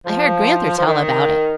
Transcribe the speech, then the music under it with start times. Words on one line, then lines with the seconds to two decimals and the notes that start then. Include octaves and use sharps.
I heard Gran'ther tell about it.
0.06 F3
0.78 F3
0.86 D#3